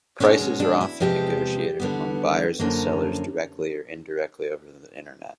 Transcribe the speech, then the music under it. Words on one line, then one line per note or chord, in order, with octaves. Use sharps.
Prices are often negotiated among buyers and sellers directly or indirectly over the Internet.
B2 G#3 C#4 D4
C#4
D4
E4
E2 C3 F3 G#3 G4
D3 G3 B3
F#2 D3 F3 A#3 C#4